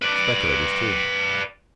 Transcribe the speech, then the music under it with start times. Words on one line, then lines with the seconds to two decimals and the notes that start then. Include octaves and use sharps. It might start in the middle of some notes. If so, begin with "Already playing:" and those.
Speculators, too.
0.02 B4 D5